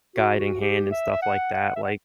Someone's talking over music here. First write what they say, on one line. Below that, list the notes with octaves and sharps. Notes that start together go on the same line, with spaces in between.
guiding hand and stuff like that, like,
F#4
F#4
G4
E5
E5
F#5
F#5
E5
F#5